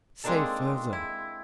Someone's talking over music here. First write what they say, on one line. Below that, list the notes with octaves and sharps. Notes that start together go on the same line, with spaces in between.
Say further.
G#3 A#3 C4 D4 D#4 A4
E4